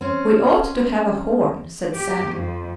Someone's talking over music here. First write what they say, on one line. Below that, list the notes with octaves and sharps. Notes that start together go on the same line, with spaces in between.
"We ought to have a horn," said Sam.
C4 C#4
G4
F2